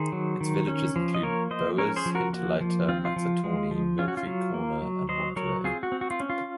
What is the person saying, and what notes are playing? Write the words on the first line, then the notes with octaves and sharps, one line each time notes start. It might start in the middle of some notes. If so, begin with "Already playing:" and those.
Its villages include Bowers, Hinterleiter, Maxatawny, Mill Creek Corner, and Monterey.
Already playing: D#3 G#4 C5
F#3
D#3
C#4
F3
D#5
A#3 A#4 C#5
F3 C5 D#5
C#4 A#4 C#5
G#4 C5
F3
F#4 A#4
A#3 F#4
F3
C4 F4
F4
F3
G#3
F3
C#4 F4
F#4
F4
F#3
A#3
F#3
F#3 C5 D#5
F#3 A#4 C#5
C4 F4 G#4
F#4
C4
F#4
F4
C#4
F4